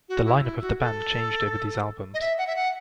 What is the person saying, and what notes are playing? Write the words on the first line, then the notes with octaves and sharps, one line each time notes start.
The lineup of the band changed over these albums.
F#4
E4
F#4
E4
F#4
A4
D#5
E5
F#5
E5
F#5